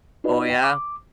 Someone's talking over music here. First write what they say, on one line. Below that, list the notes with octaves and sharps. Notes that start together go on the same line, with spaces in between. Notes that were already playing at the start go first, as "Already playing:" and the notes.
Oh, yeah.
D#4 F4 F#4 B4 D5 D#5
G5
D6